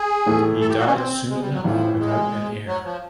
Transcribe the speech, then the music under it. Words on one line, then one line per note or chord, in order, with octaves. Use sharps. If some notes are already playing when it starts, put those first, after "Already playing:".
He died soon enough without an heir.
Already playing: G#4
A2 E3 A3
A4
G4
F#4
C#4
C4
G#3
G3
F#3
A1 A2 E3 F3
G#3
F#3
F3